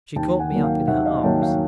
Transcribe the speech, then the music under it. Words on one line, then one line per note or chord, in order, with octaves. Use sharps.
She caught me up in her arms.
D#2 G5 A5
F#5 G#5
D#3 F#3 A#3
F5 G5
D#2 E5 F#5
D#5 F5
D#3 F#3 A#3 G5 A5
F5 G5